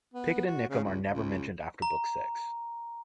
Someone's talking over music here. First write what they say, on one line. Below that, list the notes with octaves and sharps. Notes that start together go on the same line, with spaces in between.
Picket and Nickum are never mentioned after book six.
B3
F#4
C#3
C#2
C#2
A#5